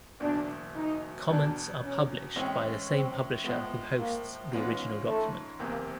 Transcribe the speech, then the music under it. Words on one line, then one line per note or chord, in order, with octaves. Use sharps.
Comments are published by the same publisher who hosts the original document.
F#1 E2 B2 D4
D#4
E1 E2 B2 D4
C#4
A2 E3 G#3 C4 C#4
C4
A2 F3 G#3 B3
A#3
G#2 E3 G#3 B3 C#4 F4
A3
F#1 E2 C3 A#3